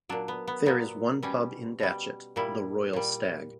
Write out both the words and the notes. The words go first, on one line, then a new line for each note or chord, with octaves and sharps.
There is one pub in Datchet, The Royal Stag.
A#2 F#3 D4
B3
B3
A#2 F#3 B3
B2 G3 C#4
B2 G3
A#2 G3 E4
A#2 G3